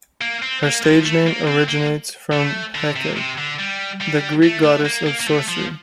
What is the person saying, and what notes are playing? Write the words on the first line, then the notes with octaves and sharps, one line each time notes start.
Her stage name originates from Hecate, the Greek goddess of sorcery.
A#3
C4
A#3
F3
A3
A#3
C4
A#3
A3
D3
C3
C3
D3
G3
G3
A3
A3
A#3
A#3
A#3
A3
F3